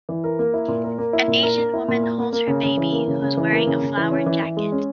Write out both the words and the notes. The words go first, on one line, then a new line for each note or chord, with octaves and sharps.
An asian woman holds her baby, who is wearing a flowered jacket.
E3
A#4
A#3
E4
A#2
A#4
A#3
E4
A#2
A#4
A#3
E4
A#2
A#4
A#3
A#3
C#3
C#3
E3
A#3
C#3
C#3
E3
A#3
C#3
C#3
E3
C#4
E3
E3
G#3
C#4